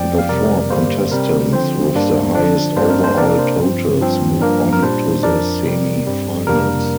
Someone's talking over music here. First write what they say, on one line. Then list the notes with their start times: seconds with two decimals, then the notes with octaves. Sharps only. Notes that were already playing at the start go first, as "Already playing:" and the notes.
The four contestants with the highest overall totals move on to the semi-finals.
Already playing: F2 F3 C4 D5 G5
0.18 F5
0.29 F2 C3 G3 A#4 D5
0.70 G2 D3 G3 A#3 C5
1.11 C3 G3 C4 A#4
1.53 D3 F3 C4 C5
1.95 G2 G3 A#3 D4
2.35 D3 F3 D4
2.76 G2 G3 A#3 D4 C5
2.90 A#4
3.04 C5
3.18 C3 A#3 D4 A#4 D5
3.39 C5
3.59 G2 F3 C4
4.00 G2 F3 C4
4.41 G2 F3 A#3 D4 A#4
4.73 A#4
4.82 A#2 G3 D4 C5
5.23 F2 F3 D4 A#4 D5
5.65 C3 G3 C4
6.07 G2 G3 C4
6.47 F2 C3 G3 A#3 D4 A#4